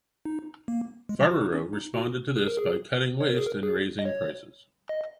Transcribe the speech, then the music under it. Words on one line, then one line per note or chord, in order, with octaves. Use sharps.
Farberow responded to this by cutting waste and raising prices.
D#4
A#3
G#3
F#3
F#4
D#4
C#4
D#4
F#4
G#4
A#4
G#4
C#5
A#4
G#4
A#4
G#4
D#5
C#5
D#5